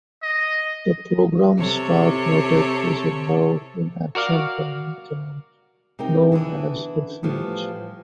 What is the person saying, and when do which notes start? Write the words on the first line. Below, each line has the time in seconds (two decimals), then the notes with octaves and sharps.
The program Stark noted is a Love In Action-run camp known as Refuge.
0.23 D#5
1.56 C3 A4 C#5
4.15 F#4 A#4 D5 F5
5.99 C3 D#4 A#4 G5
6.32 E3 B3 D4 E4
7.23 A2 E3 F3 G3 A3 B3